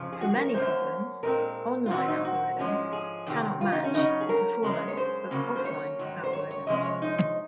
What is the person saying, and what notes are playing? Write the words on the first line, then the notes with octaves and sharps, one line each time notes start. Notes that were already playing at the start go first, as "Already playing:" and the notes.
For many problems, online algorithms cannot match the performance of offline algorithms.
Already playing: F2 C#3 F3
G#4
F#4
G#4
A#4
C#5
F#2 D#3 A#3 C#4 C5
A#2 G#3 C4 A#4
F4
A#2 F#3 C4 F#4
D#4
F#4
G#2 F3 G#3 C#4
G#4
C3 D#3 F#3
F4
D#4
C#4
C#3 F#3 C#4 D#4
G#4
A#4
F#2 C#3 G#3 C#4
C#5
C5
C#3 F#3 A#3 C#4
C5
C#5
G#2 D#3 F#3
C5
C#5
C#5
C3 F3 G#3 C#4 D#5
C#5
D#4